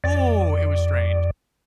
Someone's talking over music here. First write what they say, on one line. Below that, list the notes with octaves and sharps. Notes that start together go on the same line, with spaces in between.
Ooh, it was strange.
F2 D5